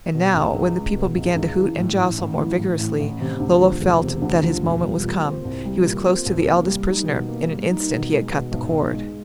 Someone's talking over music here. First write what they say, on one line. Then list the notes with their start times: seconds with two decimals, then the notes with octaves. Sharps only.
And now, when the people began to hoot and jostle more vigorously, Lollo felt that his moment was come--he was close to the eldest prisoner: in an instant he had cut the cord.
0.14 B2
0.34 C#2
0.54 C#2
0.75 G#3
0.96 B2
1.15 C#2
1.36 C#2
1.57 E3
1.77 A2
1.98 A1
2.18 A1
2.38 E3
2.59 A2
2.79 A1
3.00 A1
3.20 C3
3.40 D2
3.61 F3
3.81 E1
4.01 C3
4.22 D2
4.43 F3
4.63 E1
4.84 G3
5.04 A#2
5.24 C4
5.45 C2
5.65 G3
5.86 A#2
6.06 C4
6.26 C2
6.46 A#3
6.67 G3
6.87 D#4
7.08 B2
7.29 A#3
7.49 G3
7.70 D#4
7.90 B2
8.10 G#3
8.30 B2
8.51 B1
8.71 B1
8.92 G#3